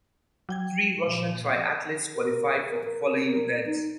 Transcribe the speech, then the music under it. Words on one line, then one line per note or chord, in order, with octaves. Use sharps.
Three Russian triathletes qualified for the following events.
F#3 G5 G#6
A#2 F3
A#4
A#4
A#4
D#4